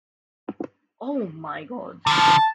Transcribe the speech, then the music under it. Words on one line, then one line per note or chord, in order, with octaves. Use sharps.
Oh, my God!
D3 F3 A5